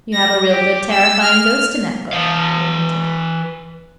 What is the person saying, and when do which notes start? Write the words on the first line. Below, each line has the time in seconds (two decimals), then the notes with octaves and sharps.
"You have a real good terrifying Ghost in that book?" I hinted.
0.13 A#6
0.50 G4
0.91 E6
1.21 F6
2.13 E3 F5